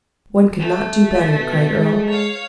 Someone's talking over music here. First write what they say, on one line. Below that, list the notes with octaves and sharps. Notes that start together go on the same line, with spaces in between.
"One could not do better," cried Earle.
A3
B2
G#3
C#5 F5